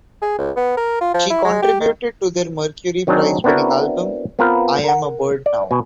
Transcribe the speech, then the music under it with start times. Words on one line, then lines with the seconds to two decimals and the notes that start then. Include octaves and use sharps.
She contributed to their Mercury Prize-winning album, "I Am a Bird Now".
0.22 G#4
0.38 C#2
0.56 B3
0.77 A#4
1.01 F4
1.14 F3
1.30 E4
1.45 G#3
1.62 G4
1.81 D#3
3.07 D#3 F#3 C4 D4 D#4 G#4
3.44 B3 C4 D4 E4 F#4 A#4
4.39 B3 C4 F4 A#4 B4 F5
4.84 A#4 F#5
5.46 D5
5.71 B2 G#5